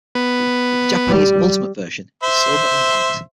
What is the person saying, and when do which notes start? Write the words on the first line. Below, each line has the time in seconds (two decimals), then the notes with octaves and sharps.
The Japanese "Ultimate Version" is silver and white.
0.15 B3
1.08 G3
2.23 C5 E5 C6